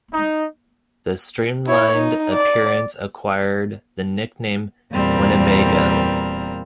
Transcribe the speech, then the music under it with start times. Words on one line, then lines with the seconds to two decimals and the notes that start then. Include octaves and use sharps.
The streamlined appearance acquired the nickname Winnebago.
0.13 D#4
1.67 E4 C#5
1.96 D#4
2.33 D5
4.92 E2 A#2 G3 C4 A#4 F6